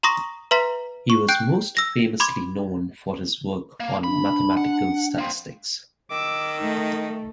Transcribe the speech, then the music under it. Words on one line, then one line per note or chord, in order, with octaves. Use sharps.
He was most famously known for his work on mathematical statistics.
A#5 C6 C#6 D#6 A#6
B4 E5 A#5 C6 B6
C#6
G5 F#6 G6 D7
E6 A#6
B5 C6 D6 G#6
A#3
D4 B5
F#5
A#3 C4
D#3 D6 E6
A3 D#4